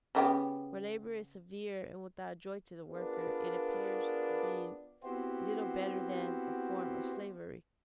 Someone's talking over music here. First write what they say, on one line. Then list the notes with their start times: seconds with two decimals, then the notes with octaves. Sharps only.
Where labor is severe and without joy to the worker, it appears to be little better than a form of slavery.
0.15 C#3 B3 G4
2.91 B3 D4 F4 G#4 A#4 B4
5.03 B3 C4 E4 F#4 G4 C5